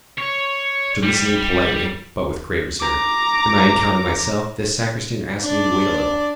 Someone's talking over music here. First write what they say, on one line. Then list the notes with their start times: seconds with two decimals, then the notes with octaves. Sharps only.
After listening politely, but with great reserve, to my account of myself, this sacristan asked me to wait a little.
0.18 C#5
1.03 G3
2.80 A#5 D6
5.42 D4 D5